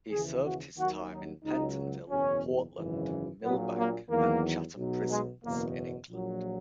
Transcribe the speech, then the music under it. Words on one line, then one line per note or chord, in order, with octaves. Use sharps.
He served his time in Pentonville, Portland, Millbank and Chatham prisons in England.
D#2 C#3 E3 G#4
F#4
D#2 D#3 F#3 F#4
D#4
C#2 C#3 F#3 D#4
F#1 E2 B2 C#4
G#1 F#2 C#3 E3
A#1 A#2 F#3 B3
A#3
E2 D#3 F#3 A#3
B1 B2 F#3
G#3
F#1 E2 B2 A#3
A#1 A#2 F#3